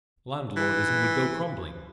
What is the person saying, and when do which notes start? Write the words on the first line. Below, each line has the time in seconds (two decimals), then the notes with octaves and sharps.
Landlordism would go crumbling.
0.57 E3